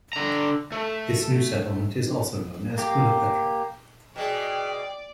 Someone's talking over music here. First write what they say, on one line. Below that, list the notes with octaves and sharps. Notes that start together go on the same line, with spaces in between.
This new settlement is also known as Kounopetra.
D3 A#5
A3
A#3 G4
B2 G#3 D5 G5